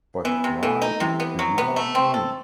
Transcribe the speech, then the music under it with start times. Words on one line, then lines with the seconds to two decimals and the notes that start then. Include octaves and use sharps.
But why do you want me?
0.24 E3 B3
0.44 C3
0.62 E3 A3
0.82 D#4
1.00 C3 E3
1.20 B3
1.39 F#3
1.58 B3
1.76 A3
1.95 C4
2.14 A4